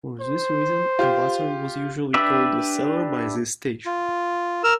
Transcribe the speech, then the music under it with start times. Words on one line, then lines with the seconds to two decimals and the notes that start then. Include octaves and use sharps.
For this reason, a buttery was usually called the cellar by this stage.
0.21 C5
0.99 F4 G4
2.14 D4 G4 B4 D5 E5
3.86 F4
4.64 A#4 E6 F6